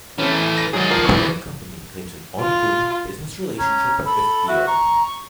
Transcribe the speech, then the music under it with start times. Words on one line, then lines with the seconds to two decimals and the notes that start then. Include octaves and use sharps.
The parent company claims an ongoing business relationship with Dion.
0.18 E3 A3 C4 C#4
0.32 E2
0.58 A#6
0.73 G#2 D#3 F#3 G#4 D5
0.90 F3 A#4 C7
1.03 F2 E3 C#6
2.40 F4
3.59 C#4 A#5
4.05 A4 B5
4.48 F#4 E5
4.67 A#5 C#6